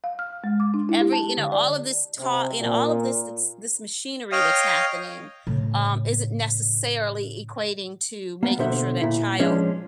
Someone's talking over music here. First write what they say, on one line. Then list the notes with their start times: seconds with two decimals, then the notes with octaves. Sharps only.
Every you know, all of this taught you know, all of this this machinery that's happening, um, isn't necessarily equating to making sure that child
0.04 F5
0.19 F6
0.44 G#3
0.60 D6
0.74 D4
0.89 E4
1.01 G4
1.13 A5
1.37 D3
1.52 D5
2.19 C3
2.60 A#2
4.32 C#5 D#5 F5 G5 D#6 F6
5.47 A2 C#3
8.43 A#3 B3
8.59 B2 D3 C5 E5
9.02 A#2 E4
9.39 F3 G#3 C#4 D4